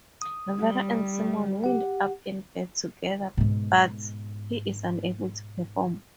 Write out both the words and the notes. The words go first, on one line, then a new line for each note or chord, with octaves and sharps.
Vera and Simon wind up in bed together but he is unable to perform.
D#6
G3
G4 F#5
G#2 B2